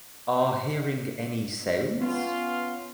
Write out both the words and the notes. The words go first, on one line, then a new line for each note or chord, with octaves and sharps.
Are hearing any sounds?
B3 C#4 F4